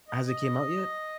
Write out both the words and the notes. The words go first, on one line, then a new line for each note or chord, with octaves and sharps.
Has it came out yet?
D#5
D#5